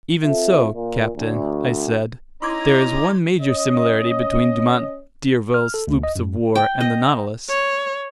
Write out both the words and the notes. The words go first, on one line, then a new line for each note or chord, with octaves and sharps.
"Even so, captain," I said, "there is one major similarity between Dumont d'Urville's sloops of war and the Nautilus."
C4 F4 A4 E5
A#2
D2
C#4 D#4 E4 A#5 C6 D6 G#6
C#4 C#5 D#5
F6
A4
D2
D#5
F#2
G5
D#5
C#5